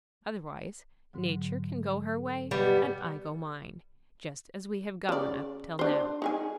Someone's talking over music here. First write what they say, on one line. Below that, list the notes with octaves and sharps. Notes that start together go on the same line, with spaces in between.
Otherwise, Nature can go her way and I go mine, just as we have gone up till now.
G#2 D3 F#3
A4
G3 B3 D#5
C#3 D5
D4 C5
D#4 G#4 G#5